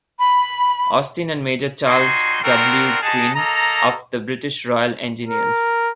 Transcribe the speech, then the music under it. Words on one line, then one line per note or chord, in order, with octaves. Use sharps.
Austin and Major Charles W. Gwynn of the British Royal Engineers.
B5
G3 D#4 F#4 G#5 C6
B3 C4 D4 F4 F#4 A#4
D#4 G#4 D#5 F#5 A5
A#3 A4 D#5 A#5
A#4